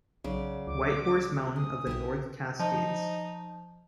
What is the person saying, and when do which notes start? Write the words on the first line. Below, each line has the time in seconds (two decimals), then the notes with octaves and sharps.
Whitehorse Mountain of the North Cascades.
0.24 B1 C#3 F#3 D5
0.67 C#2 D6
1.56 G#4 D#6
1.87 B1 E4 G4 A#4
2.60 F3 D#4